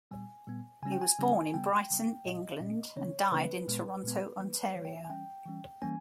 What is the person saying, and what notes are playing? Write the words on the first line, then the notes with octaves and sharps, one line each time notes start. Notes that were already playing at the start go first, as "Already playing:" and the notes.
He was born in Brighton, England and died in Toronto, Ontario.
A#2 G3 B3 G#5
A#2 G3 B3
C#3 G3 C#4 G#5
G5
G#5
C#3 G3 C#4
C#3 G3 B3 G5
C#3 G3 B3
A#2 G#3 C#4 D#5
A#2 G#3 C#4
C#3 E3 A#3 C#4 C#5
C#3 E3 A#3 C#4 B4
A#2 G#3 B3
A#2 G#3 B3
E3 G3 A#3
E3 G3 A#3 C#5
G5
E5
G#5
E3 G3 C#4 G5
E3 G3 C#4
E3 G3 A#3 C#4 G#5